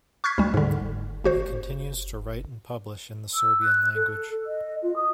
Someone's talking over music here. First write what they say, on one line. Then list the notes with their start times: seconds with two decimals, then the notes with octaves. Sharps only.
He continues to write and publish in the Serbian language.
0.24 C#6 F6 F#6 G#6 B6
0.38 D2 G3
0.54 G#2 D3
1.24 G#1 F#4 C5
3.34 E6
3.62 F#6
3.95 A4
4.46 D#5
4.82 F4
4.96 D#6